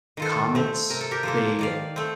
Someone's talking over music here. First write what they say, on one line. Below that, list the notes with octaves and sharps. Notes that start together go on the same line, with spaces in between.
comets, they
D#3 F4 A4
A3 C4
C3 A#4
A4
G4 A#4
F3 A#3 A4 C5
D#3 D5 F5
A3 C4